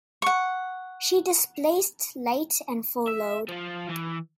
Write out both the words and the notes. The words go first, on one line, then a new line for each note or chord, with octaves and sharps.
She displaced light and full load.
F#5 C#6
E5
F3 F4
E3